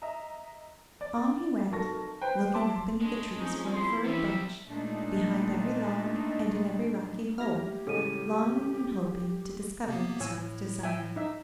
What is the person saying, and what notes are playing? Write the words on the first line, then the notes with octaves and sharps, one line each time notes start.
On he went, looking up into the trees for a furry bunch, behind every log, and in every rocky hole, longing and hoping to discover his heart's desire.
D#5 E5 A#5
D5
F1 F#3 A#4 A5 C#6 A#6
B4 C5 G5
E5 A5 C6 D6
G#3 A3 D4
F2 C#4 D#4
F3 E4 C6
C3 E3 G3 E5
A#2 G#3 A3 D4 D#4
A#3 E4 G4 F6 A#6
A1 C#3 G3 G#3 C#4 A4 D#7
C3 A#3 B3
A2 C#5 G#5 E6
E5 G5 G#5
D#4 E5